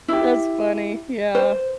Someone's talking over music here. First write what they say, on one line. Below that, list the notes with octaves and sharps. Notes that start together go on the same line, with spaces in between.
That's funny, yeah.
E4 G4
C5